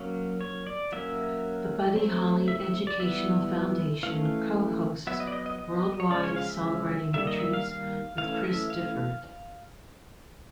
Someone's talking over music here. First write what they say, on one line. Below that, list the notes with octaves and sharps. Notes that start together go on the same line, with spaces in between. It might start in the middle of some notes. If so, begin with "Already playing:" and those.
The Buddy Holly Educational Foundation co-hosts worldwide songwriting retreats with Chris Difford.
Already playing: F#3 A#3 C#4
C#5
D5
F#3 A#3 C#4 E5
F#3 A3 C4
E5
E5
D5
E3 G3 B3 E5
E3 A3 C#4 F5
F#3 B3 E5
D#5
D5
D#5
D#5
D#5
C#5
C#3 F3 G#3 C#4 D5
C#5
F5
E5
D#3 G3 A#3 E5
D#5
E5
F5
F5
E3 A3 C#4 F5
E5
F5